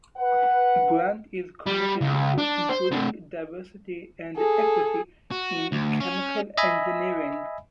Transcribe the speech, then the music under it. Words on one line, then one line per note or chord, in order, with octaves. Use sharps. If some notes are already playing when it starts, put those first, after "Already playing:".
Grant is committed to improving diversity and equity in chemical engineering.
B4 F#5
G3
C#2
D4
C5
C3 D4
G#4 A4
F#4
D2
C#4
D#5 E5 G#5 B5